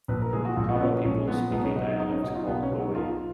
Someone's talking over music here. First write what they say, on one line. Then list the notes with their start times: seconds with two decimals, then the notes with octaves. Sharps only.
Kabba people speak a dialect called Owe.
0.08 A#1 B4
0.21 A#4
0.33 A#2 F3 G#3 G#4
0.45 F#4
0.56 A#1 F4
0.75 B3
0.81 A#2 F3 G#3 C#4
1.05 A#1 C#4
1.28 A#2 F3 G#3 B3
1.51 B1 B3
1.63 C#4
1.76 B2 F#3 D#4
1.99 B1 D#4
2.11 C#4
2.23 B2 F#3 D#4
2.35 F4
2.47 B1 B3
2.63 C#4
2.71 B2 F#3
2.79 D#4
2.95 B1 F4